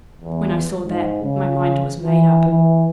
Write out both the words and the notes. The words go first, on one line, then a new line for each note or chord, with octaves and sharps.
When I saw that, my mind was made up.
E2
G#2
C#3
E3
E3